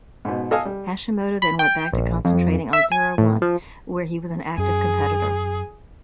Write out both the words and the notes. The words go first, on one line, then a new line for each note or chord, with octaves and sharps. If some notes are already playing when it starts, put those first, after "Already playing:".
Hashimoto then went back to concentrating on Zero-One, where he was an active competitor.
G#2 B2
A4 D#5 F5 G#5
G3
B5
G5
A#1
F2
E5
G#5
A2
F3
F#2 G#4